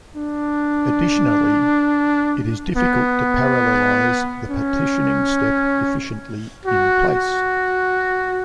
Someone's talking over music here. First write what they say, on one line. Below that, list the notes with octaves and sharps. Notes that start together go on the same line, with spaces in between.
Additionally, it is difficult to parallelize the partitioning step efficiently in-place.
D4
B3
C#4
F#4
F#4